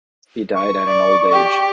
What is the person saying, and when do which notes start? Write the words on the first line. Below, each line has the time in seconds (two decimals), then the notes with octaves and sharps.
He died at an old age.
0.55 C#6
0.86 D5
1.32 G4